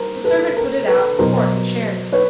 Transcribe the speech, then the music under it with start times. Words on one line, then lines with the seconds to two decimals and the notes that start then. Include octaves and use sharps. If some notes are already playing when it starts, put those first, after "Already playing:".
The servant put it out, port and sherry.
Already playing: G3 A#4 C5
0.24 A4 B4
0.57 A#4
0.87 A4 B4
1.18 B2 F#3 A#4 C5
2.12 B4 C#5